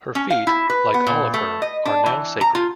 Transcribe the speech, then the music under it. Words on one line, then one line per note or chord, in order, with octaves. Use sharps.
Her feet, like all of her, are now sacred.
C#4
F5
E4
B4
B3
A#2
A3
D#5
D4
E3
A#5
F4